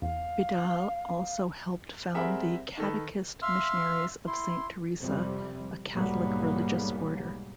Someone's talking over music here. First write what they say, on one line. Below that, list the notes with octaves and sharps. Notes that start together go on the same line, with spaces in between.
Vidal also helped found the Catechist Missionaries of Saint Theresa, a Catholic religious order.
E2 F5
G3 C4 G#4 A#4 E5 F#5
D#3 A4 B4
E5 F5 C6 E6 F6
E4 C6
F2 C3 G3
B1 G#2 G3 A#3 B3